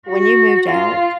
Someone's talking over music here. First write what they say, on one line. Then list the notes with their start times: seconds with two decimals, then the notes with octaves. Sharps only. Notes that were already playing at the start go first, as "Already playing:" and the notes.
when you moved out
0.09 F#4
0.71 F4